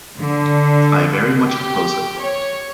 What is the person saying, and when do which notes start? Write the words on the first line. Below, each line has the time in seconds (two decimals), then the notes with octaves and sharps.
I very much oppose it.
0.19 D3
1.47 G4
2.19 C#5